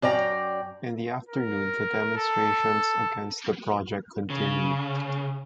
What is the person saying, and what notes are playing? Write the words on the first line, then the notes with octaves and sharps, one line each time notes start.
In the afternoon, the demonstrations against the project continued.
F#2 D5 G5 A#5
A#4
A4
C#3